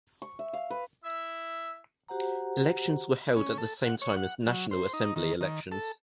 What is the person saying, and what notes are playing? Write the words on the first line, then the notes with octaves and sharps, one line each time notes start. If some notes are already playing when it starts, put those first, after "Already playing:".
Elections were held at the same time as National Assembly elections.
C#6
E5
F5
B4
E4 E5
F#4 G4 C5 F#5 A#5
C#4
A4
F#5
C#5
F#5
F#3
C5
D#4
D#3
D#3
A4